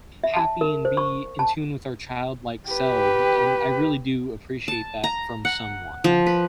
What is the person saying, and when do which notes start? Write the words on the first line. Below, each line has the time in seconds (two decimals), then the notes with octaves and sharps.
happy and be in tune with our childlike selves, and I really do appreciate that from someone.
0.24 E5
0.36 A5
0.61 A#4
0.85 C5
0.97 C#6
1.39 A5
2.69 G4 B4
4.68 A5
5.04 A#5
5.45 F#5
6.04 F3
6.26 B4